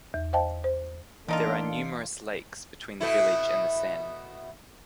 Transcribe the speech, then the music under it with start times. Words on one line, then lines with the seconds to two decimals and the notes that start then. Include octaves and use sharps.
There are numerous lakes between the village and the Seine.
0.14 E2
0.33 C5 D#5 F5 G5 A5
0.64 C5
1.28 D3 E3 A#3 D4 D#4 F4 A4 D7
3.00 B2 A3 E4